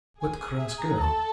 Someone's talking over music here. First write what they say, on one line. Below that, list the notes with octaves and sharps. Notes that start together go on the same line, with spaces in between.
What cross girl!
G#4 G#5
E5
A#5
A4 A5 A#5